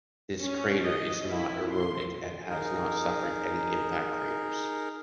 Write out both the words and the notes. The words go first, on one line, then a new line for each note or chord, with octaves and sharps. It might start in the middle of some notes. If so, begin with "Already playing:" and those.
This crater is not eroded and has not suffered any impact craters.
C#4
D#5
E4
C6
D#4 G#4 A#4